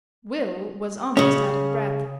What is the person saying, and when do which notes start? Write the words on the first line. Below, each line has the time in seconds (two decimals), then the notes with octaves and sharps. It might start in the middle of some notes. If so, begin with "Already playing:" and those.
Will was almost out of breath.
1.17 C#3 C#4